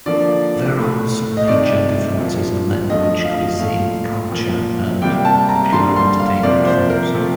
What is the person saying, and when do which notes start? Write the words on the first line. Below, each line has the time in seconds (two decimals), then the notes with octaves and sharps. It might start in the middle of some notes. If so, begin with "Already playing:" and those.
There are also major differences in language, cuisine, culture, and popular entertainment forms.
0.06 D3 F3 A#3 D5
0.78 A2 A3
1.37 D#5
1.48 C3 D#3 A3 D5
2.19 A#2 F3 A#3
2.89 D3 F3 A3 D#5
3.25 F5
3.60 A#2 A3 F5
4.31 A#2 F3 A#3
5.02 C3 G3 A#3 G5
5.25 A5
5.49 A#5
5.73 D3 G3 A#3 C6
5.96 C6
6.20 F5
6.43 C3 F3 A#3 D5
6.67 C5
6.90 A#4
7.14 C3 F3 A3